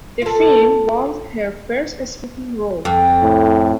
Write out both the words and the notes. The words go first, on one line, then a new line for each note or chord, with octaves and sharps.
The film was her first speaking role.
F4 A4
F2
A2